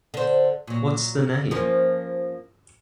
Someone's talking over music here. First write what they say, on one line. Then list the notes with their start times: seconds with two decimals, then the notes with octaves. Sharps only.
What's the name?
0.14 D3 C5
0.67 A#2 F#3
1.51 F3 A#3 C#4